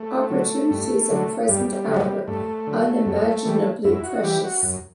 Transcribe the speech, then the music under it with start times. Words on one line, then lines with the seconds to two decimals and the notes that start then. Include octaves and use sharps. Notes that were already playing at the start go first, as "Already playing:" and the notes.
Opportunities of present hour unimaginably precious.
Already playing: A3
0.30 D3 F#3
0.71 G2
1.10 D3 F#3
1.48 G2 G3
1.87 D3 F#3
2.28 G2 A3
2.67 D3 F#3
3.06 F#2
3.45 E3 G3
3.84 F#2 E4
4.04 F#4
4.23 E3 G3 G4
4.44 F#4
4.63 F#2